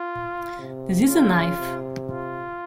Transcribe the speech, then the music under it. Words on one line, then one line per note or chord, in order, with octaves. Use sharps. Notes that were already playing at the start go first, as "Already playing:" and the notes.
This is a knife!
Already playing: F4
C3
C#3 F4
C3
F4